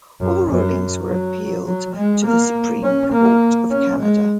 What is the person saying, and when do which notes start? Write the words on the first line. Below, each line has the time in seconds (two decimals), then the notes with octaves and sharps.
All rulings were appealed to the Supreme Court of Canada.
0.21 F#2
0.49 F#2
1.08 F#3
1.66 F#3
1.95 G#3
2.25 A#3
2.83 C#4
3.13 A#3
3.71 C#4
4.00 G#3